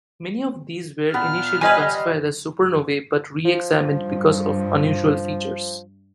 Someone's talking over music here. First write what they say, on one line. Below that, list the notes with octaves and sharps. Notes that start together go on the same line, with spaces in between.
Many of these were initially classified as supernovae but re-examined because of unusual features.
A#2 B3 F6
G3 B4 C5 D#5 F#5 G#5
F3
G2